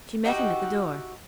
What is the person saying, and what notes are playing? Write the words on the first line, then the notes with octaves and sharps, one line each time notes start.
She met him at the door.
D#4 F#4 G4 E5